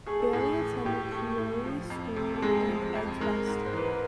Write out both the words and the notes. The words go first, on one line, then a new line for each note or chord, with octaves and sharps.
Bailey attended Priory School in Edgbaston.
A3 G#4
A4
A2 G#4
E3
A2 G4
A3
A2
F3
F2
C3
A4
G#3 G#4
F3
F2
G#3 A#4
G#2
C5
E3 B4
A#4